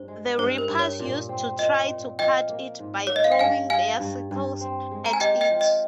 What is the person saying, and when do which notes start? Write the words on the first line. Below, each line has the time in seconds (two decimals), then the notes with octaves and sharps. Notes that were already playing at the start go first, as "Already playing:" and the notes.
The reapers used to try to cut it by throwing their sickles at it.
Already playing: G2 C5
0.08 G#3
0.38 G2 C5
0.58 A#4
0.69 G2
0.79 C#5
0.99 A#2
1.29 C4
1.59 A#2 D#5
1.90 A#2
2.19 F3 D#5 G5
2.49 A#3
2.80 G#2
3.07 A#3 C#5
3.16 D#5
3.24 F5
3.32 G5
3.39 G2 F5 G#5
3.70 G2 F5 G#5
4.00 G2
4.31 G2
4.61 C4
4.91 G#3
5.06 A#5
5.13 G#5
5.20 G4 D#5 G5
5.41 D#5 G5
5.51 F3
5.61 D#5